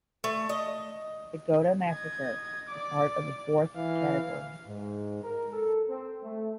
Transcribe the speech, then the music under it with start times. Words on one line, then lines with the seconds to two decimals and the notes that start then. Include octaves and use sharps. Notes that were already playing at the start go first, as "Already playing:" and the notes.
The Goda massacre is part of the fourth category.
0.24 A3
0.49 D#5
1.89 D#5 G#6
2.68 D5 D6
3.75 E3 F5
4.68 G#2
5.23 A#4
5.53 A4
5.89 C4
6.24 A3